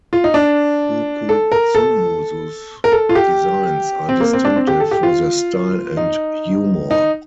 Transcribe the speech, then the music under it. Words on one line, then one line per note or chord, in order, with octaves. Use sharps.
Kukuxumusu's designs are distinctive for their style and humour.
F4
D#4
D4
A4
A#4
A4
A#4
A4
F4
G4
C4
A#3
C4
D4
C4
G4
A4
G4
F4
D#4
D#4